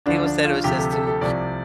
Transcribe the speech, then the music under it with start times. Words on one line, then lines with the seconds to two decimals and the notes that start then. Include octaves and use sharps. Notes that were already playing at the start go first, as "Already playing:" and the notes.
People said it was just too
0.06 D2 D3 F3 D4
0.25 D4
0.45 F4
0.64 D2 C3 F3 G4
0.78 A4
0.93 A4
1.07 A4
1.21 C2 C3 F3 D5